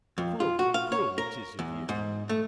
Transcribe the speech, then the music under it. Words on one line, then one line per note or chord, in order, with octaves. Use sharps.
"Cruel, cruel, 'tis of you!"
F2
F4
F#4
F5
C#5
A#4
E2
G#2
A3